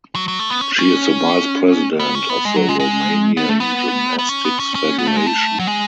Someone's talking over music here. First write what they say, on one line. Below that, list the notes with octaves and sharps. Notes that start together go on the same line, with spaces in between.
She is the vice president of the Romanian Gymnastics Federation.
F#3
F#3
A3
B3
C#4
C#4
B3
C#4
B3
G#3
F#3
G#3
G#3
B3
A3
B3
B3
C#4
B3
C#4
C#4
B3
A3
G#3
A3
F#3
G#3